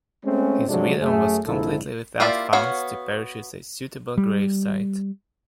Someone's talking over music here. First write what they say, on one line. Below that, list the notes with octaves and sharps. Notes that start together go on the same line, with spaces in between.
His widow was completely without funds to purchase a suitable gravesite.
G#3 A3 C4 C#4
C3 F3 F#3 G#3 A3 D4
F#2 A3 G#4
A#1 F2 G#2 D3 E4 A4
A#3 E4 F4 G4 D5
B3 F#4 C#5 F5
G3